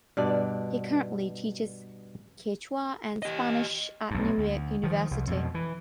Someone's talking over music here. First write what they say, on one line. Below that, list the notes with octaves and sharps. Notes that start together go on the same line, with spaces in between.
He currently teaches Quechua and Spanish at New York University.
G2 B2 D4 D5
G4 D#5
B1 G2
D2
D#3 F3
C2
F2 B2
E3